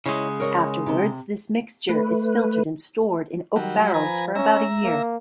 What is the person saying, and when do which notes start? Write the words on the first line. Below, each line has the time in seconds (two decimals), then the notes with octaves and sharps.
Afterwards, this mixture is filtered and stored in oak barrels for about a year.
0.06 C#3 G#3 E4 C#5 D#5
0.40 A#4 C#5 D#5
0.86 C3 C5
1.89 A3 B4
3.56 D#3 F#3 G3
3.94 F3 B4 G#5 A#5
4.35 C#4 E5 A#5
4.84 A#3